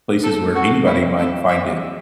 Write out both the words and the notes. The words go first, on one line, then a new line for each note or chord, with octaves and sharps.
places where anybody might find it,
A4
F#4
E4
A4
E5